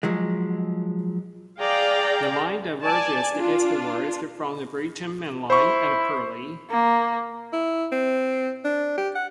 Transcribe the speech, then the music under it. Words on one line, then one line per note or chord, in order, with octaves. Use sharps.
The line diverges eastwards from the Brighton Main Line at Purley.
F3 F#3 G#3
G#4 D5 F5 G5 A#5
D5 G#5 A5
D4 F4
E4 C5 C#6
A#3
E4
C4
D4
G4
F#5